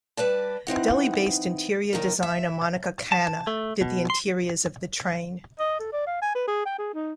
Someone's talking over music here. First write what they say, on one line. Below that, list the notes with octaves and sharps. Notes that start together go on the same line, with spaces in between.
Delhi-based interior designer Monica Khanna did the interiors of the train.
G3 B4 D5 A5
E3 C4 D#4 F#5
D#2 D#3 D4 A#4
E5
A5
A3
B2
C6
D#5
A4
D5
F5
G#5
B4
G#4
G5
G#4
D#4